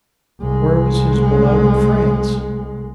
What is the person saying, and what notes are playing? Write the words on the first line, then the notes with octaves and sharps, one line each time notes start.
Where was his beloved France?
C2 G#3